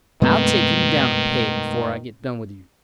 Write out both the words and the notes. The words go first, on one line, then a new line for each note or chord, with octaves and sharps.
I'll take you down a peg before I get done with you.
F#2 B2 D#3 G#3 A3 C4 B4